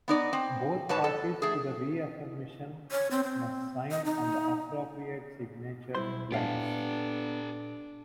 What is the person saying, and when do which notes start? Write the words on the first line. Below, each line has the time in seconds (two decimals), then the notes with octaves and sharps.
Both parties to the reaffirmation must sign on the appropriate signature lines.
0.08 B3 D#4 D5
0.33 C4
0.89 G#2 B4 C#5 A5
1.04 A4
1.42 A3 G#4
2.91 C#5
3.11 C4
3.24 C4
3.91 D#5
4.05 D#4
5.95 B1 G3 E4 C5 C6
6.32 A#2 B3 D4 G4 A4 F5